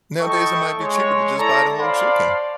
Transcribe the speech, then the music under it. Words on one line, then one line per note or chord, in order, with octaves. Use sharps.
nowadays it might be cheaper to just buy the whole chicken.
E4 A4 D#5 G5 C#6
G#3 C#5
E4 A4 D5 A#5
C5 D5 F5 A5 B5 C6